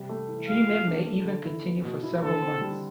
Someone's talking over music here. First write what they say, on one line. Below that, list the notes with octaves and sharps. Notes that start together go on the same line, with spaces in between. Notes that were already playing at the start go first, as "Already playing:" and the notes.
Treatment may even continue for several months.
Already playing: C3 G3
A3
E3
G3 F5
F4
D4
A3
D3
E4
B3
B2
E4
D3 A4
C4
G3